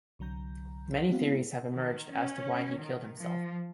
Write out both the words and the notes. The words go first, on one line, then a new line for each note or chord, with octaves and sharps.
Many theories have emerged as to why he killed himself.
C2 D3 F#3 A#5 G6
G#3 B3 C4 E4 F#4 F5
D#3
C#4
D#3
F3